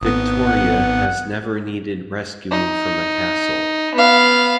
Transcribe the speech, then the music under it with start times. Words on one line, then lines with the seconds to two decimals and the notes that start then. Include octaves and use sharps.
Victoria has never needed rescuing from a castle.
0.02 G#1 B3 D#6
0.47 F#5
2.51 D#4
3.95 B3 F5